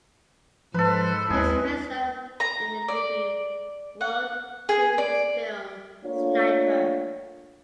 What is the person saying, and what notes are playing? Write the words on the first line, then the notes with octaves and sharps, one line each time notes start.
He is best known in the movie world through his film "Sniper".
G#2 F3 A4 B4 C5
D#2 G#3 C4 E4 G#4 B4
A#5
D5
F#5
G#4
D5
A3 A#3 D4 F4 C#5